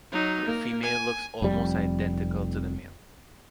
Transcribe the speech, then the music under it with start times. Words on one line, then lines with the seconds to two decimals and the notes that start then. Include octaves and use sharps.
The female looks almost identical to the male.
0.12 F#3 D#4
0.45 A#3
0.83 G#5
1.42 F1 F2 G3